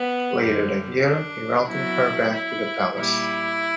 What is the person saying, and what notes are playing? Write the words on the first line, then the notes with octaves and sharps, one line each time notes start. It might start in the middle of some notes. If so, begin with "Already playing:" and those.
Later that year, he welcomed her back to the palace.
Already playing: B3
F#2 D3 G3
D4
B2 F#3 E4
E4
A#2 G3 E4